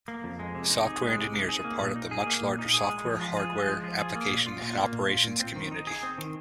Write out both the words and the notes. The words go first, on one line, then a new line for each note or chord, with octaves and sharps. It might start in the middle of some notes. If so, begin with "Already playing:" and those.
Software engineers are part of the much larger software, hardware, application, and operations community.
A#3
F2
G#3
C3
D#4
G#4
G#3
C3
D#4
G#4
A#3
A#2
D#4
G#4
A#3
A#2
D#4
G#4
G#3
F3
F4
G#4
G#3
F3
F4
G#4
A#3
A#2
F4
A#2
A#3
A#2
F4
A#2
C4
D#3
D#4
G#4
C4
D#3